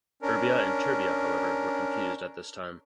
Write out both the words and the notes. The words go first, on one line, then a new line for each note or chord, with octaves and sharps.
Erbia and terbia, however, were confused at this time.
C#4 D4 A#4